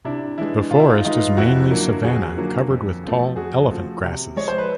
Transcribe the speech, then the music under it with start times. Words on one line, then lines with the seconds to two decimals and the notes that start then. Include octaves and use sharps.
The forest is mainly savannah covered with tall elephant grasses.
0.04 C3 D4 E4
0.38 E3 G#3 D4 E4
0.71 C3 F4
0.80 E4
0.89 D#4 F4
1.05 E3 G#3 D#4 F4
1.37 F2 E4 F#4
1.71 D3 F#3 A#3
2.03 F2 F#4 G#4
2.37 D3 F#3 A#3
2.70 F2
3.03 C#3 F3 A3
3.36 F2 F#4 G#4
3.70 C#3 F3 A3
4.03 C3
4.36 F3 G#3 C#5
4.48 C5
4.58 B4